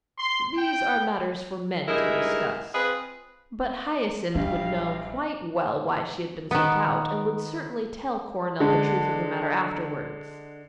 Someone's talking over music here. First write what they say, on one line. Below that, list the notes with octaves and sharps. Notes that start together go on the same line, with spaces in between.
"These are matters for men to discuss." But Hyacinth would know quite well why she had been sent out, and would certainly tell Coronel the truth of the matter afterwards.
C6
G5
G2 G#3 D#4 E4 G#4 A#4
C4 F4 G#4 B4
A#1 G3 D4 F5
D#3 B3
D3 G#3